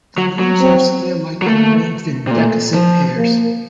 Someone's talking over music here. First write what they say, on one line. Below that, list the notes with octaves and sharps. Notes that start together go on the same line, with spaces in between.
The leaves are scale-like, arranged in decussate pairs.
F#3
F#3
C4
F#3
A3 A#3
C3
A#2 A3
F3
A#3